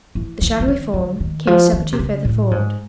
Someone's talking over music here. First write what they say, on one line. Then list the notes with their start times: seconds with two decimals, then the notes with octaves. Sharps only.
The shadowy form came a step or two further forward.
0.15 E3
0.41 E3
0.60 E3
0.68 D#3
0.94 D3
1.20 D#3
1.47 F3
1.73 D#3
1.92 C3
1.99 C#3
2.25 A2
2.51 G#2